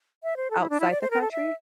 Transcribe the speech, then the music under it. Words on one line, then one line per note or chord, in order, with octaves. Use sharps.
outside the country?
E5
C5
A4
E4
D4
E4
D5
C5
A#4
A4
E5